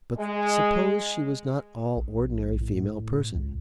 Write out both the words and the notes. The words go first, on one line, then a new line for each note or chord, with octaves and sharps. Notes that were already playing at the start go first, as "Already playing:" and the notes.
But suppose she was not all ordinary female person....
G#3
A#1
A2
C#2